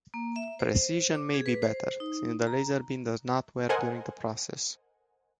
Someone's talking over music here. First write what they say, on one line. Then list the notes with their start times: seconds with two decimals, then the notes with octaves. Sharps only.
Precision may be better, since the laser beam does not wear during the process.
0.14 A#3
0.36 E5
0.59 C5
1.15 D6
1.34 G#4
1.46 B4
1.62 C5
2.00 D#4
2.47 A#5
3.69 A4 A#4 C5 D#5 F#5 G#5